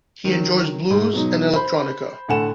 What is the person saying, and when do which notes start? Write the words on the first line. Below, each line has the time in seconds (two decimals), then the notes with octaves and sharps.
He enjoys blues and electronica.
0.25 D#3 F#3
0.90 G#2
1.13 B2 F#3 D#4
1.55 C5 B5
2.29 A2 D3 A4 F#5 G#5 E7